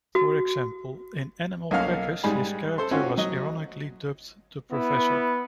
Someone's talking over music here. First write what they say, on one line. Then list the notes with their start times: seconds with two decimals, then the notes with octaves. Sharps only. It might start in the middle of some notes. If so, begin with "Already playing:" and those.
For example, in "Animal Crackers" his character was ironically dubbed "The Professor".
0.15 F#4
1.71 B1 A#3 C#4 F5 F6
2.24 G#2 G3 G#4 B5
2.78 A4 C5 C6
2.91 C4 C#4 F4 F#4
3.17 F#3 D#5
4.72 B3 E4